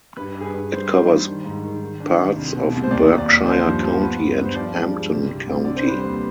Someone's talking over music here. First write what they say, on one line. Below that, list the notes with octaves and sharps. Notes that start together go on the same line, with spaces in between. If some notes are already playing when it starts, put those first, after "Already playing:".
It covers parts of Berkshire County and Hampden County.
G2 B4
G2
G#4
B4
G2
G3 C5
D4
G3
D#3
G#2
D#3
D#3
D4
D#3
C2
B2
C2
C5
D#2 D5
D#2
D5
D#2
F3 C5
G2
F3
B3
G2
G2
C5
F3 D5
G#3
G2
C2
C3
C2
D3 D5
C5
G3 B4
D#2 C5